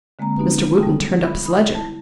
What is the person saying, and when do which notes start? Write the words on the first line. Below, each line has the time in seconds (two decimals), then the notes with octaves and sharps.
Mr. Wootten turned up his ledger.
0.19 D3 G#3 A#3 C4 A#5
0.38 B3 C#4 D#4 F#4 G4 B4
0.79 G3 G#3 A4 G5 A5 D#6
1.25 F4 B5
1.45 B5 D#6
1.73 E4 A5